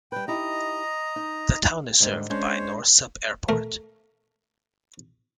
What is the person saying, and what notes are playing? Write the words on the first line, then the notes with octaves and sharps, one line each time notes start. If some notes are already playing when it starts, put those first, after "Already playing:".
The town is served by Norsup Airport.
G3 B4 G5
D#4 E4 G4 D#5 A#5
D#4
G#2 D3 G3
G#3 C#4 D4 C5 C#5
A3 A#4